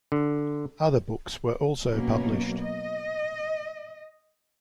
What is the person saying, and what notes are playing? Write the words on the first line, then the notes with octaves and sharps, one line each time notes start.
Other books were also published.
D3
B2 F#3 A#3 C#4
D#5